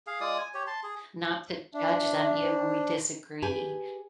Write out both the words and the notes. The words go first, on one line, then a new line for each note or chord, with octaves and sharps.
not to judge them even when we disagree,
G#4 F5
G#3 F4 D5 D#6
G#5
G4 C#5
A5 C6
G#4
D4 E5
C5
G4 G#4 B4 G5 G#5